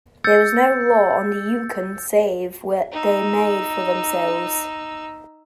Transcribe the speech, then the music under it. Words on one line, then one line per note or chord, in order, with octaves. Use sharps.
There was no law on the Yukon save what they made for themselves.
E6 G6 A6 C#7
D#4 E6